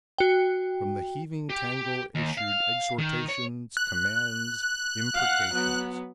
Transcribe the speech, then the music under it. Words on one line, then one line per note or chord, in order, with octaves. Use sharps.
From the heaving tangle issued exhortations, commands, imprecations.
F#4 G5
G4
D#2
F5
D#3
C#5
F#6
F5 F#5
F#3 B3